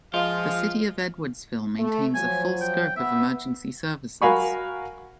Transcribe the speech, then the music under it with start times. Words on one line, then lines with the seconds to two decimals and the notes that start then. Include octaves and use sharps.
The city of Edwardsville maintains a full scope of emergency services.
0.14 F3 G#3 F4 F5
1.79 A3
2.14 F3 F#3 G#5
2.61 G5
2.97 B3 E5
4.22 F#4 A#4 F5 G#5 B5 C#6